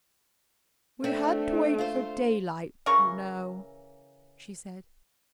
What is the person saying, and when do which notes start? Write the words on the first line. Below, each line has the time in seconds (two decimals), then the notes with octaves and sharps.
"We had to wait for daylight, you know," she said.
1.04 A3 C4 D4
1.78 F4 C5
2.86 C#3 E3 A#4 C#6